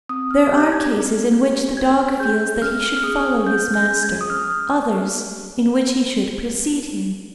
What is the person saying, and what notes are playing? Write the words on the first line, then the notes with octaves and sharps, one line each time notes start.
There are cases in which the dog feels that he should follow his master; others, in which he should precede him.
C4 D#6
F6
G4 G6
G#6
C4
G4
C#4 G#6
G#4 G6
C#4 F6
F6
G#4 D#6
C#4 G6
G6
G#4
G#6
D#6
C#4 F6